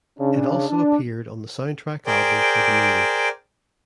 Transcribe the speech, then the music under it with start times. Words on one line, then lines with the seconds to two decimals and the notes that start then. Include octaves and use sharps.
It also appeared on the soundtrack album for the movie.
0.19 C#3 D4
0.68 D4
2.06 G#4 A#4 C5 D5 G5